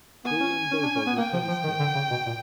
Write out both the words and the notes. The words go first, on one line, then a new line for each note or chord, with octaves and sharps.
William Bobo replaced him.
B3 G#5
C#4
C#4
D4
C#4
B3
A#3 G5
F3
F3
D#3
D3
C#3
B2
A#2